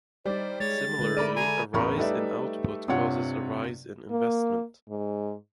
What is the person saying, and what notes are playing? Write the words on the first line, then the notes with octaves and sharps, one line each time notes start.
Similarly, a rise in output causes a rise in investment.
G3 D#4 C5 D5
G#3 C#5 A6
D3 G#3 B4
A3 A#4 D5 B5 D#7
G#5 A#5
A1 E2 A#4 B5 C#6
G3 A3 D#4 B4 D5 E5
G2 C3 F4 C#5 F#5
A#3
G#2